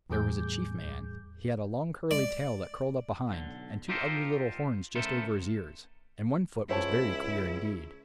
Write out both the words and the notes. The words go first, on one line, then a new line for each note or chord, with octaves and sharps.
There was a Chief Man; he had a long curly tail that curled up behind, and two ugly little horns just over his ears; and one foot was very queer indeed.
E2 A2 G3 G#4 D6 G6
D5
B1 D3
D#4 F4 G4 A4 A#4 C5
C#3 A3 B3 A4 A#4 C5
C#2 E4 C5 C#5 A5